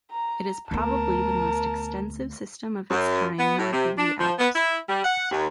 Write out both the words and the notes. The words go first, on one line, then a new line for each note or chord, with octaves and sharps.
It is probably the most extensive system of its kind north of the Alps.
A#5
D2 B3 A#4 A5
F#2
B3
A2
C3
D4
F3
B3
E4
G3
F#5
D#2